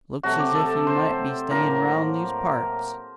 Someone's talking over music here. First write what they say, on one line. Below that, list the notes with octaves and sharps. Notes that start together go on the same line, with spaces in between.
Looks as if you might be stayin' round these parts!
C3 F#3 A3 F#4
G4
A4
C5
A2 F#3 A#3 A#4